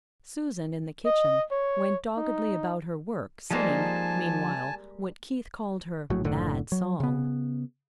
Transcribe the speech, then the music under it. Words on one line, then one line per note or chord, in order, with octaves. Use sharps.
Susan, in the kitchen, went doggedly about her work, singing, meanwhile, what Keith called her "mad" song.
D#5
C#5
D#4
F3 G3 G#3 A#3 D#4 C5 G#5 A5
A#1 A2 F#3
F#1 A2 D3
F#3
C#3 B3